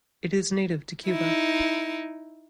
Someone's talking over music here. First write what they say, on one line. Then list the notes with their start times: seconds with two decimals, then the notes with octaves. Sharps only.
It is native to Cuba.
1.08 D#4 E4